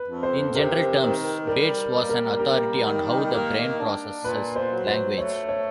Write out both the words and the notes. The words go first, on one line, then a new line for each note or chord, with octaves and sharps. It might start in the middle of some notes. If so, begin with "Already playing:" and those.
In general terms, Bates was an authority on how the brain processes language.
Already playing: B4
F2
C5
C3 A#4
D#3
G3 A#4
A#3
A#4
G3 A#4
D#3
A#3
D4
A#2 B4
C5
F#3
C5
A3 C#5
C#5